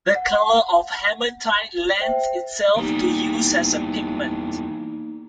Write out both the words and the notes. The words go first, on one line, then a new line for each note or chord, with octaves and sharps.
The color of hematite lends itself to use as a pigment.
F#5
C5 E5 G5
E2 G3 A#3 D#4